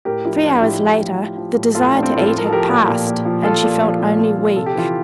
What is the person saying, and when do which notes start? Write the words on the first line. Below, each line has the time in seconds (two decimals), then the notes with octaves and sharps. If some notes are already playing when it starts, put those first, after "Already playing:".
Three hours later the desire to eat had passed, and she felt only weak.
0.05 A2 G4 A#4
0.25 F3 E4 G4
0.44 F3 D4 F4
0.62 A2 E4 G4
0.82 A2
0.99 F3
1.18 F3
1.37 F3
1.56 A2
1.75 A2 F4 A4
1.93 A2 D4
2.03 C4
2.13 A2 F4 A4
2.31 F3
2.38 A#4
2.46 A4
2.50 F3 G4 A#4
2.69 A#2
2.88 A#2
3.07 A#2
3.25 F3
3.43 F3 F4 A4
3.63 A#2
3.82 F3
4.00 A#2
4.18 A#2
4.38 F3
4.56 C3 A4
4.66 G4
4.75 E3 F4